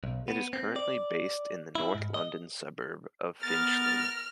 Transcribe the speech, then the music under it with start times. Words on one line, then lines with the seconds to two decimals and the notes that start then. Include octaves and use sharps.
It is currently based in the North London suburb of Finchley.
0.04 B1
0.28 B3
0.53 C4
0.76 D5
1.75 E4
1.95 G#2
2.14 D#5
3.43 B3 A#4 F6 A6